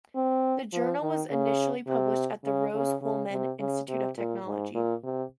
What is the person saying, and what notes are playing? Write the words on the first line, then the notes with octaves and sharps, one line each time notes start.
The journal was initially published at the Rose-Hulman Institute of Technology.
C4
F3
D#3
C#3
C3
C#3
C#3
C#3
C3
C#3
C3
A#2
G#2
A#2
C3